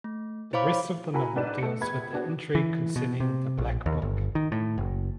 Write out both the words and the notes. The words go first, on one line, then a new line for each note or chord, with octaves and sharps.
The rest of the novel deals with the intrigue concerning the black book.
A3
E4 C5 C#5 F5 B5 D6
E4 F#4 A#4 G#5 A#5 B5
G#2 D4 B4 D5 D#5 E7
A3 C#7
A#1 B3 B5 G#6
B3 D4 F#4
E3
B2
C3
A#1
D#2
G1
D#3
A2
F#1